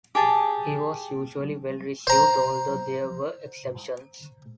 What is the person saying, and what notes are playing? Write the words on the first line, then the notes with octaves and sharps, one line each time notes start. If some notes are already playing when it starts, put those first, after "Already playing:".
He was usually well-received although there were exceptions.
G4 G#4 A5
C5 A#5